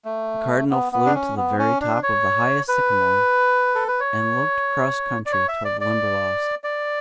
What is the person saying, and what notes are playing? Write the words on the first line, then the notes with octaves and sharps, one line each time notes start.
The Cardinal flew to the very top of the highest sycamore and looked across country toward the Limberlost.
A3
B3
B3
D4
C#4
B3
C#4
D4
C#5
B4
A4
B4
C#5
D5
C#5
E5
D5
D5
D5